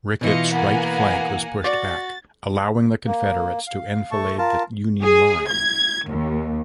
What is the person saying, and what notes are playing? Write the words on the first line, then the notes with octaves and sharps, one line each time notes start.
Ricketts's right flank was pushed back, allowing the Confederates to enfilade the Union line.
B2 E3 F4 D#5 C#7
A#3 B3 F#5 G#5
F#4 D5 A6
A#3
F5
A3 A5 C#6
F4 A#4 A5
G#4
G#6
D#2